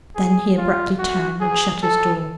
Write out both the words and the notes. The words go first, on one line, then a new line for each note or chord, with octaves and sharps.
Then he abruptly turned and shut his door.
G#4
F4
F#4
G#4
A4